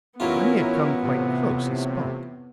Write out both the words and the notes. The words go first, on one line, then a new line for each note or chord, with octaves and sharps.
When he had come quite close he spoke.
A1 F#3 B3 C#4 E4 F4 A#4
A2 C3